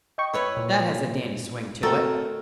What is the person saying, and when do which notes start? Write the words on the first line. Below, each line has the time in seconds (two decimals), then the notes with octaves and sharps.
"That has a dandy swing to it."
0.18 D#5 G5 C#6
0.33 E4 B4 C#5
0.57 A#2
1.83 A3 C4 F#4 A4 A#4